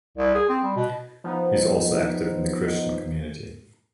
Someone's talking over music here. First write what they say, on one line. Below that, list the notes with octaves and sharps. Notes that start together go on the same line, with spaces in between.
He is also active in The Christian Community.
C2
G#4
C4
G3
B2
F3 B3 D#4